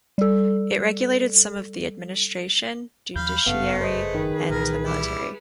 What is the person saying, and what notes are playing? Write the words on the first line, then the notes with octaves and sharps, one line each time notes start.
It regulated some of the administration, judiciary and the military.
G3 A4
D#2 F3 F5 B5 G6
G1 F#2 C#3 A3 B3 F5
G#4 B4 C5 D#5
D#3
C2 A#2 E3 A#4
G3 E4